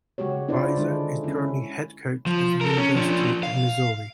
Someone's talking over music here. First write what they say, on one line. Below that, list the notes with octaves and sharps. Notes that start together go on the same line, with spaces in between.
Bieser is currently Head Coach at the University of Missouri.
C#3 G#3 F#4 G4 C#5
D4 E4 F4 C5 D5
D3 D#3 G#3 D4 E4
C#4 E4
F3
A4 A#4
C#4
F3 D4
F5